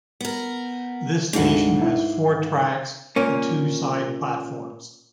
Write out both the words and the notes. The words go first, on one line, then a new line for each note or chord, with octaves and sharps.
This station has four tracks and two side platforms.
B3 A#4
D2 G#2 D3 G#3 F5 F#5
E4
A#2 A#3 C#4